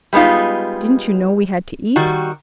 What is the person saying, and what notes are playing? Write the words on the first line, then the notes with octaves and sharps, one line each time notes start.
Didn't you know we had to eat?
G3 G#3 B3 D#4 F4
D#3 G3 F#4